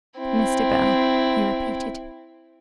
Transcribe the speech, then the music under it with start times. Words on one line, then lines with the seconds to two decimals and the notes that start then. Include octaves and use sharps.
'Mr. Bell,' he repeated.
0.19 C4 E4